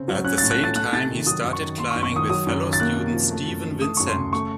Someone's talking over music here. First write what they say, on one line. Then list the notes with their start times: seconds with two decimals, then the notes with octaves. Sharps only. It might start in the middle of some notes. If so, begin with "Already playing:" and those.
At the same time, he started climbing with fellow student Steven Vincent.
Already playing: C#3 C4
0.08 F#3
0.24 C#4 F#6
0.38 A2 A6
0.51 F#6
0.59 A3 A6
0.76 A3 F#6
0.93 C3 A6
1.11 D#3
1.26 F#3 D#6
1.43 F#2
1.53 C#6
1.60 D#3
1.78 A#3 C6
1.90 C#6
1.96 F#2
2.03 C#6
2.12 D#3 D#6
2.30 F#3 D#6
2.47 F#2
2.63 D#3
2.73 A6
2.80 A#3 F#6
2.97 C3
3.14 F3
3.31 A3
3.48 F#2
3.65 D#3
3.82 A3 D#6
3.97 F#2 C#6
4.07 C6
4.16 C#3
4.33 A3 C#6